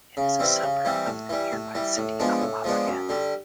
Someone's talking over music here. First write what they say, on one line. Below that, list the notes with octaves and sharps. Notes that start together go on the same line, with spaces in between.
It is a suburb of the nearby city of Lafayette.
C#3
E3 G3 C4
C#3
E3 G3 C4
A2
E3 G3
A2
E3 G3
A2
F3 G#3 B3 D4
A2
F3 G#3 B3 D4
F#2
D3 G3